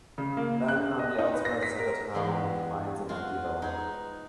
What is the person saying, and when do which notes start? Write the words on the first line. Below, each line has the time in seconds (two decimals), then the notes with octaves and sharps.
Then on the outskirts of the town he finds an empty villa.
0.18 C#3
0.37 A#3
0.68 F#6
0.99 D#5
1.19 D#4
1.33 B4
1.45 A#6
1.63 B6
1.79 A#4
2.14 E2 G3 G#3 B3 C6
3.08 G#3 F4 F#4
3.62 D#4 G#4 B4